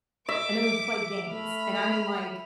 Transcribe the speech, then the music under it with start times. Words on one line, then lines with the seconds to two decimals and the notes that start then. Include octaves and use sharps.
and then we'd play games, and I mean, like,
0.29 E5 D6 D7
1.31 A3 B5 F6